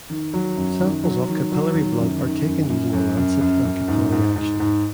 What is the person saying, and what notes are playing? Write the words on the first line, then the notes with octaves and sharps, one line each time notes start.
Samples of capillary blood are taken using a lancet and capillary action.
D#3
F#3
F#2
D#3
F#3
D#3
F#3
D#3
F#2
D#3
F#2
F#2
F#2
F#2
F#2
F#2
G#2
G#2
G#2
G#2